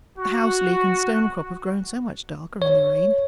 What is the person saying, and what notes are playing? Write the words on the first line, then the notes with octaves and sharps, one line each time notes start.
The house-leek and stone-crop have grown so much darker in the rain.
F#4
C#5